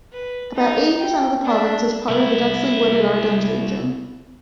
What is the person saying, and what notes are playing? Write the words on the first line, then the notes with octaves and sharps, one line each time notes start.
About eighty percent of the province is part of the densely wooded Ardennes region.
B4
D#4
G5
D4 E5
C2 E4